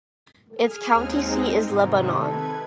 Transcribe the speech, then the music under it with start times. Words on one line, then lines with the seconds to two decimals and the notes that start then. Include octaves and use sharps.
Its county seat is Lebanon.
0.57 G#4 G#5 F6
0.94 D#2 G#3 C4 D#4
1.69 G#2 C3 D#3
2.21 A4 B4 G#6